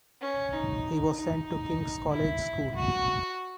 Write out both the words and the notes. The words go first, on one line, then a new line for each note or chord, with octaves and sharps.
He was sent to King's College School.
C#4
D#4
D#4
E4
F#4